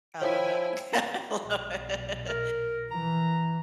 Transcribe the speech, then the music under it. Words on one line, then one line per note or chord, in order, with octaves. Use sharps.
I love it. I love it.
F3 E4 C#5 G5 G#5
B1
A#4
E3 A#5